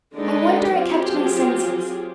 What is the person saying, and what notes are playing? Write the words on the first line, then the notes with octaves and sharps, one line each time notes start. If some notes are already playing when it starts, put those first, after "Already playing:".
I wonder I kept my senses.
D3 G#3 D#4 B4 D5
F#3 C4 F4 G4 G#4